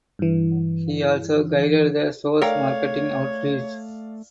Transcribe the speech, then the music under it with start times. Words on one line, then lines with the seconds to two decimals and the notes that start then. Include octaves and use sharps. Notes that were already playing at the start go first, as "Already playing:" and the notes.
He also guided the shows marketing outreach.
0.19 G2 E3
2.42 A3 A4 A#4 C#5 D5 F5 G5